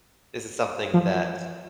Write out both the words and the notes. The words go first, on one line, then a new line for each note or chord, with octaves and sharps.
This is something that,
F3